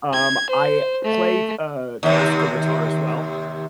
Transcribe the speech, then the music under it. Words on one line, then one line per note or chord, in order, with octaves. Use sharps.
Um, I play c uh, classical guitar as well.
G#6
C5
A3
D#2 C3